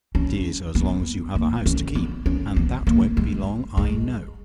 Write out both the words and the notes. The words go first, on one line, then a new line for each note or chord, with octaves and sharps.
That is, as long as you have a house to keep--and that won't be long, I know.
C#4
B3
A#3
C#4
B3
C#4
B3
A#3
G#3
G#3